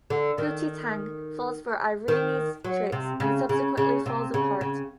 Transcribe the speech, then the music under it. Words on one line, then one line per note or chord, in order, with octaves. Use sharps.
Pootie Tang falls for Ireenie's tricks and subsequently falls apart.
D3
D#3
D#3
F#3
C3
C#3
C#3
C#3
C3
C#3
C#3